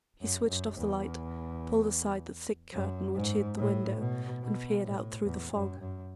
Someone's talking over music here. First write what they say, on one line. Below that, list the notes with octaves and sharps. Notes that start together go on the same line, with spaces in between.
He switched off the light, pulled aside the thick curtain which hid the window, and peered out through the fog.
F#2
F#2
E2
F#2
G#2
A2
B2
B2
A2
E2
F#2
F#2